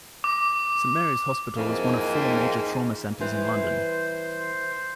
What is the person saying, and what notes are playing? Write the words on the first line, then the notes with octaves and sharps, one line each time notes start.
Saint Mary's Hospital is one of four major trauma centres in London.
D6
F2 G#2 E3 A#3 C4 D#4
E3 G3 C5